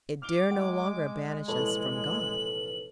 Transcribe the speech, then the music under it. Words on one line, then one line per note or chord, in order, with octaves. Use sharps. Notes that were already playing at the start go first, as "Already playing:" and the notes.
It dare no longer banish us from God.
D6 F6 F7 G7
G#3 F#5 G5
F1 A#2 E3 A4 B4 C#5 F#7